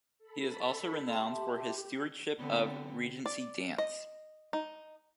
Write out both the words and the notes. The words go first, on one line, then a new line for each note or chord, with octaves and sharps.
He is also renowned for his stewardship of Regency dance.
A4 B5
G4 E5 A5 C6
D3 B3 C4
D5
D#5
D#4